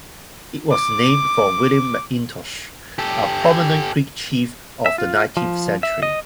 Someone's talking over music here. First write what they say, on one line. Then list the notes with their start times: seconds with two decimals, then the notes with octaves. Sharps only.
It was named for William McIntosh, a prominent Creek chief of the nineteenth century.
0.71 D6
2.99 G4 A4
4.86 E5
4.98 F4
5.37 F3
5.83 E5
6.03 D#5